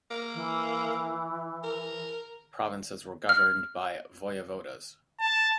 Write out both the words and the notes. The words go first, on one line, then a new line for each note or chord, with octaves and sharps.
Provinces were governed by "voyevodas".
A#3
E3
A#4
F6
A5